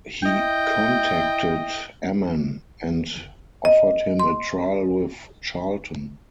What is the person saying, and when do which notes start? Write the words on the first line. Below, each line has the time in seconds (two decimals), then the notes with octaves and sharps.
He contacted Ammann and offered him a trial with Charlton.
0.23 E4 D#5 G5
3.65 D#5
4.20 C6